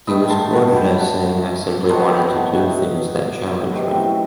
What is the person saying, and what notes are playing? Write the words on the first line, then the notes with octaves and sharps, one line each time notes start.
He was quoted as saying I simply wanted to do things that challenge me.
G2 D#3 A3 B5 D#6
A5 C6
F#5 A5
G5 B5
F#5 A5
D#3 F#3 B3 F#4 A5 C6
G5 B5
F#5 A5
E5 G5
F#2 D#3 A3 C4 G4 B4
E4 G4